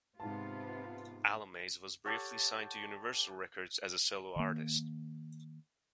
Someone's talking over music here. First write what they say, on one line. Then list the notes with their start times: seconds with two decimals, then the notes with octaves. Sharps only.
Alamaze was briefly signed to Universal Records as a solo artist.
0.20 G#2 C3 B3 F4 A5
2.05 G4 A4 C#5 F#5
4.36 D#3 A#3